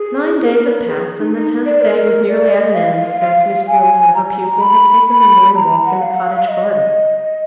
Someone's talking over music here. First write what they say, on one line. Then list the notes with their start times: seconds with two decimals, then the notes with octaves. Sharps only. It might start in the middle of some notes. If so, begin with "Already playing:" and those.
Nine days had passed, and the tenth day was nearly at an end, since Miss Gwilt and her pupil had taken their morning walk in the cottage garden.
Already playing: G#4
0.42 A#4
0.65 B4
0.88 G#4
1.19 D#4
1.35 D#4
1.66 D5
1.81 A#4
2.28 D5
2.52 D#5
2.74 F5
3.21 F5
3.67 G#5
4.15 A#5
4.46 A#5
4.61 B5
5.08 B5
5.55 A#5
5.85 F#5
6.02 F5
6.13 F#5
6.25 F5
6.36 F5
6.48 D#5